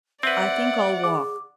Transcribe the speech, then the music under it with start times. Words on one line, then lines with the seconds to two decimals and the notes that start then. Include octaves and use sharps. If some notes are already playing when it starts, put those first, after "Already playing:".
"I think I'll walk."
0.23 C4 B4 D5 E5 F#5
1.04 G#4 D6